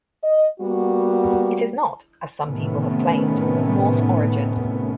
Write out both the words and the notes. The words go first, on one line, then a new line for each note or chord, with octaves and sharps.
It is not, as some people have claimed, of Norse origin.
D#5
G3 A#3 B3 F#4
A2 C3 D#3 A3 B3 C#4